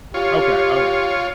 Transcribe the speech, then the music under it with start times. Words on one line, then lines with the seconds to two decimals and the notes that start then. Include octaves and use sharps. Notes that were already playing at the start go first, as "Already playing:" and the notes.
Okay, alright.
0.14 F4 G4 C#5